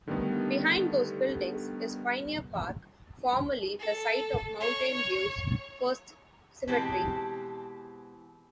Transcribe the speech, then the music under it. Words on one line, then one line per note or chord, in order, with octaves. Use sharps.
Behind those buildings is Pioneer Park, formerly the site of Mountain View's first cemetery.
D3 D#3 G3 A3 B3
A4
C#5
B2 E3 G#3 C4 G4 A5